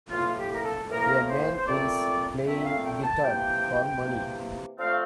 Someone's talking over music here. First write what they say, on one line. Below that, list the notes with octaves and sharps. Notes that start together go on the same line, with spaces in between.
A man is playing guitar for money.
A2 E3 A#3 F4
G4
A#4
A4
A2 E3 A#3 A#4
C5
C5
A#2 A3 C4 D5
A#2 A3 C4 E5
E5
F5
G5
G5
A5
C3 E3 A#3 G5
C3 E3 A#3
D3 F3 A3 C4 F5